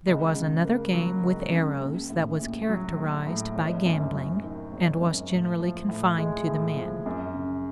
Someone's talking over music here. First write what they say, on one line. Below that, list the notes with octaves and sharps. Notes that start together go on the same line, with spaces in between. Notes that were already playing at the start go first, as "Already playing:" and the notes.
There was another game with arrows that was characterized by gambling, and was generally confined to the men.
C#2
C#3
A#3
F#3
C#2
C#3
A#1
A2
A#1
F#3
A#1
A2
G#1
F#2
F#3
D#3
G#1
F#2
A2
F3
A2
G#3
A2
F3
F#2
C#3